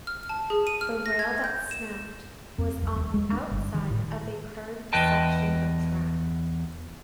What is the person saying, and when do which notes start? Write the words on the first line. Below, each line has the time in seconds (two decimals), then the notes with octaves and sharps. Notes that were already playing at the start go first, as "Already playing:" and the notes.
The rail that snapped was on the outside of a curved section of track.
0.07 F6
0.29 A5
0.50 G#4
0.67 D#7
0.81 F6
1.06 A#6
1.19 G#6
1.44 G6
1.71 E7
2.58 F2
2.83 B1
2.96 D#1
3.14 G#3
3.33 D4
3.51 G1
3.74 D#3
3.91 A2
4.93 E2 B4 D#5 G5 A5